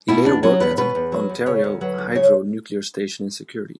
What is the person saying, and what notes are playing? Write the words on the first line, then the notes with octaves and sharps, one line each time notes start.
He later worked at an Ontario Hydro nuclear station in security.
B2 E4
E2 D4
F#3 C#4
E2 B4
B2 B4
E2
F#3
E2
C#3 C#5
D2
F#3 B4
D2
C#3 C#5